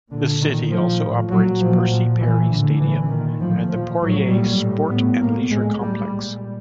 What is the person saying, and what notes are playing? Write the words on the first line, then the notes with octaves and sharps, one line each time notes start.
The city also operates Percy Perry Stadium and the Poirier Sport and Leisure Complex.
A#2 D3
A#2 D#3
A#2 F3
A2
A#2 F#3
A#2 F3
A#2 F3
A#2 E3
A2 D3
A#2 E3
A#2 D#3
A2 F3
A#2 F3
A2 F#3
A#2 G3
A2
A2 B3
A2 A#3
A2 G#3
A2 G3
A#2